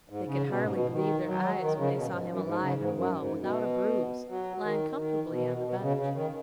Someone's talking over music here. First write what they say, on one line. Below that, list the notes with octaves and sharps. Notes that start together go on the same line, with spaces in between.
They could hardly believe their eyes when they saw him alive and well, without a bruise, lying comfortably on the bench.
G#2
C#3
B2
G#2
B2
D#3
F#3
D#3
C#3
B2
G#2
G#2
F#2
G#2
C#3
G#2
F#2
G#2
B2
F#3
D#3
D#3
B2
B2
C#3
C#3
D#3